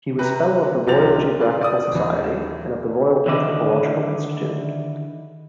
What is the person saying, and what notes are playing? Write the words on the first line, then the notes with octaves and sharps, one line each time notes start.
He was fellow of the Royal Geographical Society and of the Royal Anthropological Institute.
C3 B4 A#5
C2 C3 F3 A6 F7
F4 B4 D5
D5 D6 D#6
D#1 E3
D3 D#3 E4 D5 D#5